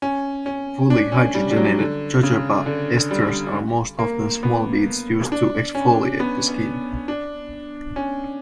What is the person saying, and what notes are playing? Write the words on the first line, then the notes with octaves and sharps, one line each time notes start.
Fully hydrogenated jojoba esters are most often small beads used to exfoliate the skin.
C#4
C#4
D4
C#4
G3
G3
F#3
D3
C#3
D3
G3
A#3
B3
D4
C#4
B3
D4
C#4